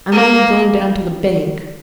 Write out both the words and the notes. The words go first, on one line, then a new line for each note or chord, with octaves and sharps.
"I'm only going down to the bank."
A#3